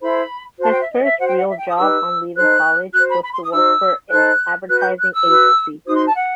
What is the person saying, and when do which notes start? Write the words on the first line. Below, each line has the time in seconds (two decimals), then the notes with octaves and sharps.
His first real job on leaving college was to work for an advertising agency.
0.01 E4 A4 C5 B5
0.60 F#4 C5 A5
0.69 G5
0.79 E5
0.89 D#5
1.03 E5
1.18 F#4 C5 F#5
1.27 G5
1.37 F#5
1.48 E5
1.57 G5
1.67 D#6
1.76 D#4 G4 B4 E6
2.35 D#4 A4 C5 F#6
2.93 F#4 C5 F#6
3.07 B5
3.22 B5
3.32 C6
3.42 D#6
3.51 D#4 F#4 C5 E6
4.10 D#4 A4 C5 F#6
4.69 F#4 B4 F#6
4.78 G6
4.98 F#6
5.13 E6
5.27 F#4 B4
5.85 D#4 F#4 C5 D#6
5.96 C6
6.05 A5
6.15 F#5